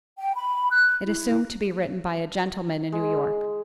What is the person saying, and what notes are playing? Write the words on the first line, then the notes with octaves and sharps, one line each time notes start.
It assumed to be written by a gentleman in New York.
G5
B5
F#6
E4
G#3